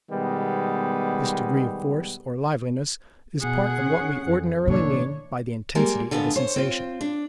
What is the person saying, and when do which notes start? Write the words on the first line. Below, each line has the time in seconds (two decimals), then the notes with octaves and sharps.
This degree of force or liveliness is part of what we ordinarily mean by the intensity of a sensation.
0.10 B2 D#3 G3 G#3 B3
3.41 B2 G#4 F#5
3.82 C#4
4.25 F2
4.66 A#2 D3 E3 A3 D4 C#5
5.75 G3 G#3 A#3
6.11 D3 G#3 B3 F4 A4
6.36 C5 C#5
6.56 C4 F4
7.01 D4